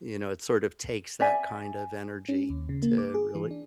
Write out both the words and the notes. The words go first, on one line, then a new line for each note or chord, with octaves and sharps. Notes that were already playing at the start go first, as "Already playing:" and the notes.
You know, it sort of takes that kind of energy to really
D5 E5 G#5
C#4
D#2
C#3
A#3
D6
G#4
E3
D4